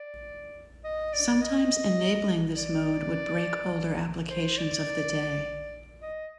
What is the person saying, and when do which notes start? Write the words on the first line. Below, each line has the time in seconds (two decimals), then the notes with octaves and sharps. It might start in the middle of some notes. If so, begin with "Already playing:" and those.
Sometimes enabling this mode would break older applications of the day.
Already playing: D5
0.84 D#5
1.13 D5
1.42 D#5
2.57 D5
4.30 C5
4.58 D5
6.02 D#5